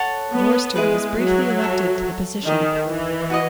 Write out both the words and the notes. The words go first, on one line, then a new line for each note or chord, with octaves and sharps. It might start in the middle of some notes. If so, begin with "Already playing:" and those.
Vorster was briefly elected to the position.
Already playing: A4 C#5 F#5 A5
B3
G#3 E4 G#4 B4
F#3
A4 C#5 E5
D#3 D#4 G#4 D#5
E3
F#4 B4 D#5